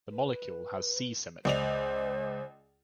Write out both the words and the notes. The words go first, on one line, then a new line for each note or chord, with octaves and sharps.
The molecule has C symmetry.
B4
C#2 C5 D5 F7